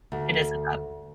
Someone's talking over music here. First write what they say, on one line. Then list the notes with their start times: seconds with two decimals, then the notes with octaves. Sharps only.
It is a job.
0.12 D2